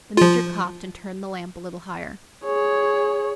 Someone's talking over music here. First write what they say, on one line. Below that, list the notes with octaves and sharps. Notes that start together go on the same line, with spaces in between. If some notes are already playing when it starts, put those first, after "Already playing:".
The Major coughed and turned the lamp a little higher.
F3 F4
G#4 C#5